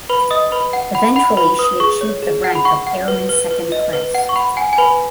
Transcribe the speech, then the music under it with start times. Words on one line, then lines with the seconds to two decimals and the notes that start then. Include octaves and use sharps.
Eventually she achieved the rank of Airman Second Class.
0.09 B4 B5
0.31 D#5 D#6
0.52 B4 B5
0.73 F#5
0.95 F#5 B5
1.16 F#5 B5
1.37 B4 B5
1.59 B4 D#6
1.80 G#4 C#6
2.01 C#5
2.22 G#4
2.44 F#5
2.55 B5
2.65 F#5 C#6
2.87 F#5
3.08 B4
3.29 B4
3.51 B4
3.72 D#5
3.93 B4
4.15 F#5
4.29 C#6
4.36 F#5 B5
4.57 F#5 G#5
4.73 G#5
4.78 B4 B5